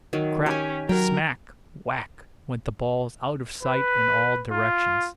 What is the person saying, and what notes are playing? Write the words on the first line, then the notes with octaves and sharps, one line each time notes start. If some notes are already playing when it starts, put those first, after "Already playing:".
Crack--smack--whack went the balls out of sight in all directions.
D#3 F#3
C#4 G4 G#5
F#3 A#4 G5
B4
F4